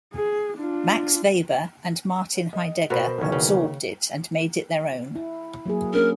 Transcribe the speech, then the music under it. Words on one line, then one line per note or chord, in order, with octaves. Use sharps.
Max Weber and Martin Heidegger absorbed it and made it their own.
G#4
D4 F4
D#5
B2 F#4 A#4 C5 B5
B1 E2 D#3 A#3 C#4
C#3
E4
F#3 A#3 G#4
A#3 C#4 D4 A#4